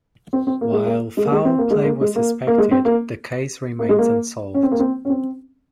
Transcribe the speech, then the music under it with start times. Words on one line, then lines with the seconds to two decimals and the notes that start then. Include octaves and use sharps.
While foul play was suspected, the case remains unsolved.
0.33 C4
0.47 C4
0.61 A#3
0.72 G#3
0.85 A#3
1.17 G#3
1.25 A#3
1.32 G#3
1.45 C4
1.58 A#3
1.71 G#3
1.83 A#3
2.01 G#3
2.16 A#3
2.47 A#3
2.58 G#3
2.71 C4
2.85 A#3
3.79 A#3
3.89 G#3
3.98 A#3
4.54 C#4
4.63 C4
4.72 A#3
4.80 C4
5.05 C#4
5.09 C4